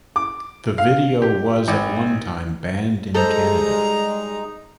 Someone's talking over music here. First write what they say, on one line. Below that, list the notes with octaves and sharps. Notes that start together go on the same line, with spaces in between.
The video was at one time banned in Canada.
D6
F5
G4
G#1
G3 G#3 D#4 A4 C5 A#5